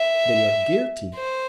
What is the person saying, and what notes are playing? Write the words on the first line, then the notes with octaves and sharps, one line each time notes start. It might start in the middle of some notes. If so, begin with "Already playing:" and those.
"Then you are guilty."
Already playing: E5
C5